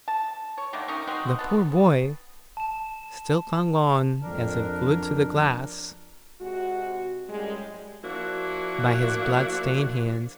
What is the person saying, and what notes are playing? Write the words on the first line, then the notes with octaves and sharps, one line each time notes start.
The poor boy still clung on as if glued to the glass by his blood-stained hands.
A5
C#5
D3 D#3 A3 A#3
C#4 D#4 G4 A#4
G#3 C4 D#4 F#4
B3 A4
A5 E7
F2 D4 A#4
C3 G#3 F#4
F#2 A2 G3 G#3
F3 A#3 D4 E4 F#4